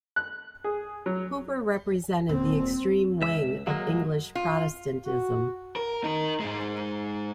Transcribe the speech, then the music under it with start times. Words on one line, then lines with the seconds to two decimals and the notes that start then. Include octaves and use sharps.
Hooper represented the extreme wing of English Protestantism.
0.16 F#6
0.64 G#4
1.06 F#3
2.29 D#1 C4
3.22 C#2 E5
3.67 F#3 G#3 A#3
4.35 F4
5.04 F#4
5.76 A#4
6.04 D#4 A#4
6.40 G#2 G#3